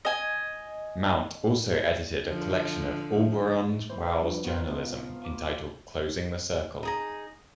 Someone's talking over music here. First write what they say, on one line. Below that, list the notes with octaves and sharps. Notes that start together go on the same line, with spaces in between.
Mount also edited a collection of Auberon Waugh's journalism entitled "Closing the Circle".
D#5 G#5
D3 F3
E3 C5
F3 G3 D4
D#3 F3 B3 F4
F3 D6
D#4 G#4 A#5